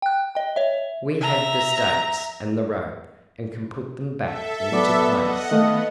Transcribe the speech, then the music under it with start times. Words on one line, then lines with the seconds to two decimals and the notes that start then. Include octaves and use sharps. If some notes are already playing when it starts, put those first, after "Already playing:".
"We have the stakes and the rope and can put them back into place."
0.02 G5 F#6
0.35 D#5 G5
0.56 C#5 E5
1.21 E5 A#5
4.21 A4 E5
4.72 F#3 B3 D5 D6
5.13 D#5 F#5
5.51 D#3 A3 B3 D#5 F5